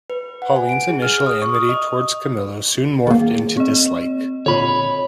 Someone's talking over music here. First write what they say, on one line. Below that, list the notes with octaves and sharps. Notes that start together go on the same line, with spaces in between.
Pauline's initial amity toward Camillo soon morphed into dislike.
B4
F#5
G#5
D7
G#4
F6
D#6
C#6
D#6
D#5
D#3 A#3 G#4
C4 D#5
A#2 D3 C#5 B5